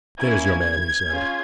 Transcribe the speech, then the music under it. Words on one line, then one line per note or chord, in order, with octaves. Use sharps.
'There's your man,' he said.
A#3 C#4 E4 G#6
C#4 F4 G#4